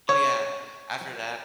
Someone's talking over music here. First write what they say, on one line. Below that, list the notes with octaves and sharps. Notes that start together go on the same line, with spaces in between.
Oh, yeah. After that,
C#5